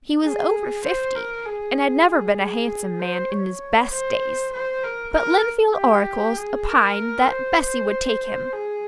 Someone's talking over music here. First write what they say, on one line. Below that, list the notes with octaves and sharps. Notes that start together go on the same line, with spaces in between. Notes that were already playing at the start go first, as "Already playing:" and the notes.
He was over fifty, and had never been a handsome man in his best days, but Lynnfield oracles opined that Bessy would take him.
G#4
C5
A#4
G#4
G#4
C5
C#5
C5
C5
A#4
A#4
G4
G#4
A#4
C5
C5
G#4